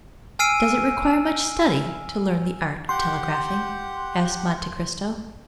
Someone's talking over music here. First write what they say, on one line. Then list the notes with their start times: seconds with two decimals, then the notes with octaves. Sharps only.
"Does it require much study to learn the art of telegraphing?" asked Monte Cristo.
0.39 G#5 E6 F6 C7 D7 D#7
2.89 G4 F#5 C6 G6